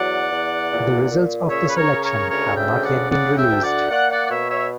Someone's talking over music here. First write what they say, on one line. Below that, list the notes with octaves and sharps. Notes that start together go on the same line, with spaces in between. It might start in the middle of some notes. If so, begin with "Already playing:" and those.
The results of this election have not yet been released.
Already playing: E2 F#3 D5 F#5
E2
A#2
A#2
C#3 C#5 E5
B4
A#4 C#5
C#3
A#4 C#5
D2 A#4 C#5
E5 G5
C#3
D5 F#5
C#3 D5 F#5
E5 G5
D2
D5 F#5
A#3 D5 F#5
D5 F#5
D5
B2 C#5 E5
C#5 E5